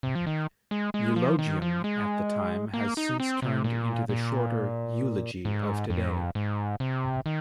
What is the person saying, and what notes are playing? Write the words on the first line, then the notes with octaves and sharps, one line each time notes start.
"Eulogium" at that time has since turned into the shorter "eulogy" of today.
C3
F3
D#3
G#3
G#3
F3
D#3
F3
G#3
A#3
D#4
C4
C3
A#2
A#2
G#2
F2
G#2
C3
D#3